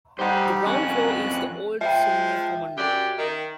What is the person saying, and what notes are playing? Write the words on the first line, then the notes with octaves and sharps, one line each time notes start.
The ground floor is the Old Senior Common Room.
G3 D#4 G4 C5 F#5
F2 C#4 F#6
F3 G#3 E5 G5
F#2 G4 D5
D#3